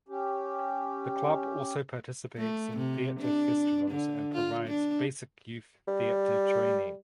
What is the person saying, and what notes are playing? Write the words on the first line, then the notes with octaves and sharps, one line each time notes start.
The club also participates in theatre festivals and provides basic youth theatre training.
C#4 G4
A3
C3
D4
D3
F4
D4
G3